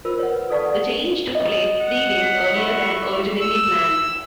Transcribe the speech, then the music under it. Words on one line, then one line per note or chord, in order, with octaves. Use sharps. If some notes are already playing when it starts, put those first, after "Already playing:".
The change took place three days earlier than originally planned.
F4 A#4 C5 E6
C#5 F#5
B4
A4 B4 D5 F5 A5 C#6
D5 F#5
D#5
F#5
B6
E4 C#6
E6